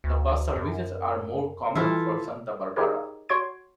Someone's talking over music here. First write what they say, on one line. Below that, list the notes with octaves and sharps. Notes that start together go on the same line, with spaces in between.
The bus services are more common for Santa Barbara.
D2
F#2
E3 E4 F4 A4
D#4 G4 G#4 A#4 C#5
F#4 C#5 C6 C#6 G#6 D7